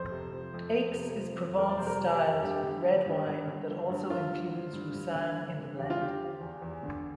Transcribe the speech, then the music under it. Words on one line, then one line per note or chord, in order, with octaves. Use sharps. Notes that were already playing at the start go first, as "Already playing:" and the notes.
Aix is Provence-styled red wine that also includes Roussanne in the blend.
Already playing: F2 C5
C3
F3
F2
F2
C3
F3
F2
F2 A#4
D5
C3 C5
A#4
F3
G4
F2
G2 G4
D3
F3
G2
G2
D3
F3
G2
G2 F4
D3
F3
G2
G2
D3
F3
G2
E2 G4
F4
D3 G4
F3
E2
E2
D3